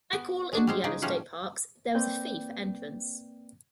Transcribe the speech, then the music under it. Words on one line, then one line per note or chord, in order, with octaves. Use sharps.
Like all Indiana state parks, there is a fee for entrance.
B3
G#3 D4 F#4
G3 G#3 C5
C#3 G#3 D#4 G#4 D5
A2 F3 G3 C#4 C5 F#5
A#3 C4 B4 D5 G5 G6